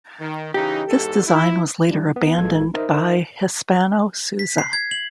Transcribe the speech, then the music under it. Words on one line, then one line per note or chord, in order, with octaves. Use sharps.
This design was later abandoned by Hispano-Suiza.
D#3
C#3 E3 D#4 G4
E2 G#2 A4
E4
G3 D4 E4
B3
A1 E3 G#3 F4 A4 G#6
D#4 A#4 C5 D#5 E5 A#5
B6
C7
G#6
F#7